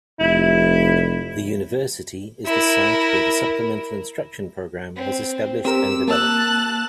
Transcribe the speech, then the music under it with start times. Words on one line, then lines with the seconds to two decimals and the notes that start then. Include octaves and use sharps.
The University is the site where the Supplemental Instruction program was established and developed.
0.20 F1 E4
2.46 E4 A#4
4.97 C4
5.65 C4 G4 A#4 E6
6.08 A#3 A5 E6 F#6